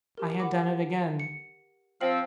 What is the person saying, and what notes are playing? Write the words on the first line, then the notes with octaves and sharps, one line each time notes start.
I had done it again.
G4 A#4
F#5 B5 D6
C#7
F3 C4 F6 C7 F#7